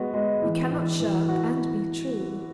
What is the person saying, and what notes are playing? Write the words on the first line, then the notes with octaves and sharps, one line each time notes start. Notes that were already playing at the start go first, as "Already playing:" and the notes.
We cannot shirk and be true.
Already playing: G#3 B3 F#4
G#3
E3
E3
E3
F#4